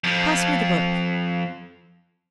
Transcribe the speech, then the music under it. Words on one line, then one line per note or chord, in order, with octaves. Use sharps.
Pass me the book.
F2 F3